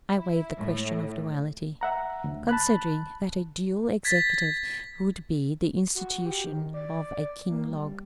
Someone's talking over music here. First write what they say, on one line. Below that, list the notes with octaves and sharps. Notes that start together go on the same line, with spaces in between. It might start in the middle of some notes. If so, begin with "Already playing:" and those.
I waive the question of duality, considering that a dual Executive would be the institution of a King Log.
E4
A2
E5 F#5 A#5
D2
A5 B5 F#6
G#6 A6 B6
F#4
G4
D#3
D5
A#3
G3